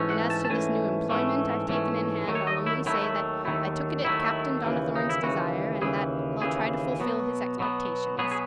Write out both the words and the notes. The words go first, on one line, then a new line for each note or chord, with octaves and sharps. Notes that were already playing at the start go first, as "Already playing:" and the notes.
And as to this new employment I've taken in hand, I'll only say that I took it at Captain Donnithorne's desire, and that I'll try to fulfil his expectations.
Already playing: G#2 E3 A3 C#4
F#5
A5
A5
G#2 E3 A3 C#4 G#5
G#2 E3 A3 C#4
G#2 E3 A3 C#4
D#2 D#3 F#3 A3
C#5
D#5
E4
D#2 D#3 F#3 A3 E4
F#4
E4
D#2 D#3 F#3 A3 E4
D#2 D#3 F#3 A3 E4
D#2 C#3 E3
D#4
E4
D#2 C#3 E3 F#4
D#2 C#3 E3 G#4
D#2 C#3 E3 G#4
B2 F#3 B3
B2 F#3 B3
B2 F#3 B3 G#4
G#4